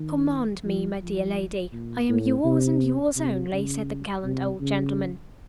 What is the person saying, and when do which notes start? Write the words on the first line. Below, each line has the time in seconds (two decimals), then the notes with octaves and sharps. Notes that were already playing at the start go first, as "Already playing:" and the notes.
"Command me, my dear lady--I am yours and yours only," said the gallant old gentleman.
Already playing: D#3
0.64 F3
1.01 F3
1.73 A#2
2.09 A2
2.45 C3
3.16 C3
3.53 C#3
4.24 C3
4.61 C#3